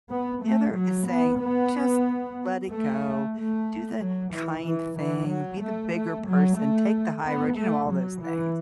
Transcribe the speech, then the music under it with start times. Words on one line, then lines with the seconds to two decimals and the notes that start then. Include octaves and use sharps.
The other is saying, "Just let it go. Do the kind thing. Be the bigger person, take the high road," you know, all those things.
0.10 B3
0.43 A3
0.75 F#3
1.08 B3
1.40 B3
2.69 A3
3.35 A3
4.00 F#3
4.33 E3
4.65 E3
4.98 E3
5.29 F#3
5.62 A3
5.94 A3
6.27 F#3
6.59 A3
7.25 B3
7.56 A3
7.89 F#3
8.22 E3